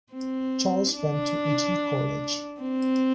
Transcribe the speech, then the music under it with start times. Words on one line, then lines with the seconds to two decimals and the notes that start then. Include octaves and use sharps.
Charles went to Eton College.
0.13 C4
0.96 D4
2.62 C4